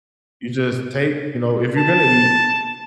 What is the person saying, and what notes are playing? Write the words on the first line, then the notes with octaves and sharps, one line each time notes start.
You just take you know, if you're gonna eat,
A5